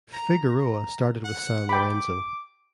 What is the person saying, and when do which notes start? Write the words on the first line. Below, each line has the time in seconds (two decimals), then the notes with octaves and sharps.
Figueroa started with San Lorenzo.
0.13 A#5
0.49 A#5
1.24 F#5
1.69 G5 B5 D6